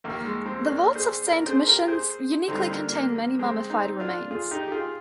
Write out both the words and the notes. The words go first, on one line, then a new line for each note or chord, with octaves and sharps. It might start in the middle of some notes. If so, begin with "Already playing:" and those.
The vaults of Saint Michan's uniquely contain many mummified remains.
D#2 D#3 A#3
G#3
G#3 C4
A#3 D4
G#4 C5
A#4 D5
G#4 C5
G4 A#4
G#4 C5
G2 D3 C4 D#4
D#4
A#3 D4
A#3 D4
A#3
G#3 C4
C4 D#4
D4 F4
F4 G#4
D#4 G4
G4
F4 G#4